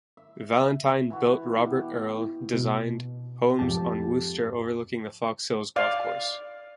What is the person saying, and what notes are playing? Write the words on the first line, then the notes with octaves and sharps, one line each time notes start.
Valentine built Robert Earl designed homes on Wooster overlooking the Fox Hills golf course.
E5
E3 E4 F#4
B2 G4
B2
F2 G#2 G4 A5
D5 F5